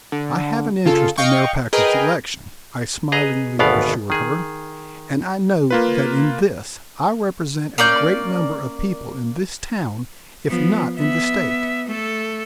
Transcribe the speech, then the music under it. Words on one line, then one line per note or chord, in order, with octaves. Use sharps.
"I have an interest in Mayor Packard's election," I smilingly assured her; "and I know that in this I represent a great number of people in this town if not in the state."
D3
C#3 F4 A4
D#5 F5 G5 C#6
G#4 A#4 B4 D#5 G5 G#5
G#4 B4 D#5 A#5
G#1 D2 B2 B3 D5 F5
D#3 G#4
A#3 F4 B4
A#3 C#4 D5 G6
F3 B3
B3 E5
A3 A4